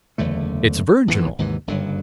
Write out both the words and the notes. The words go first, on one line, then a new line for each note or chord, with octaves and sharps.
It's virginal.
F#1 E2 D3 A3
E2 G#2 E3
D#2 G#2 C3 E3
F#1 G2 D3 F#3